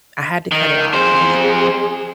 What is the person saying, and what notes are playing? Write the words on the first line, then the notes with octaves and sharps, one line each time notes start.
I had to cut it off. We
D#3
F2 G#4 C5